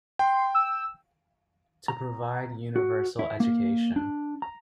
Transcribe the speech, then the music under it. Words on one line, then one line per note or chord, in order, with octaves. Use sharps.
To provide universal education.
G5 C6
E6
A#5
F#4
E4
A#3
D4
A#5